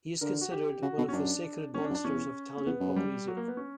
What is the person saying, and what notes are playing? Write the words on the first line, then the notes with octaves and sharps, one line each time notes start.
He is considered one of the "sacred monsters" of Italian pop music.
D3 A#4
F#4
G4
C#3 F#4
B2
C#4
F#2 D4
G2 C#4
D4
F#2
D4
E2 C#4
C#4
E2 B3
F#2
G3
F#3
A#3
B3
C#4